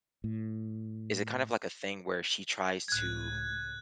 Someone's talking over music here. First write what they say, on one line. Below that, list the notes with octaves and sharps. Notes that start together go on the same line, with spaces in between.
Is it kind of like a thing where she tries to
A2
C#2 A2 F#6 G#6